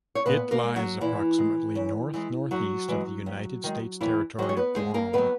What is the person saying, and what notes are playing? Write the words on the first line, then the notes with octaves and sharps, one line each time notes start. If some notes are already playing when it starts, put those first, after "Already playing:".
It lies approximately north-northeast of the United States territory of Guam.
C#5
A#2 B3 B4
A#3 A#4
G#3
F#3 F#4
A#2 E3 E4
G#3
F#2
E3 G#3
F#2 F#3 F#4
E3 G#3
D#2
D#3 G#3
D#2 E3 E4
D#3 F#3 G#3 F#4
C#5
B3 B4
D#2 G#3 G#4
A#3 A#4
D#3 F#3 B3 B4